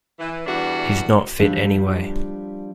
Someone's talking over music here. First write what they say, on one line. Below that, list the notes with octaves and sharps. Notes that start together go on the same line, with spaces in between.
He's not fit anyway.
E3
E2 E3 G3 D4 F#4
F3 G3 D4 E5